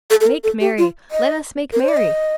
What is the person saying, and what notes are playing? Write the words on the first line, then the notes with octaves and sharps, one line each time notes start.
Make merry, let us make merry.
A4
A4
A#4
A4
G4
F4
D#5
A#4
C5
D5
D#5